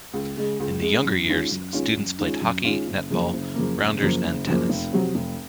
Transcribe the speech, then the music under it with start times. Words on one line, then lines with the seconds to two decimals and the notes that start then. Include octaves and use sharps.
In the younger years, students play hockey, netball, rounders and tennis.
0.14 C#2
0.37 C#3 G#3
0.60 C#2
0.82 C#3 G#3
1.04 F#2
1.28 D#3 G#3 C#4 F4
1.51 F#2
1.73 D#3 G#3 C#4 F4
1.97 F#2
2.19 D#3 G#3 C#4 F4
2.41 F#2
2.65 D#3 G#3 C#4 F4
2.87 F#1
3.10 F#2 C#3 F3 A#3
3.33 F#1
3.55 F#2 C#3 F3 A#3
3.78 F#1
4.02 F#2 C#3 F3 A#3
4.24 F#1
4.47 F#2 C#3 F3 A#3
4.69 F1
4.93 F2 C3 F#3
5.15 F1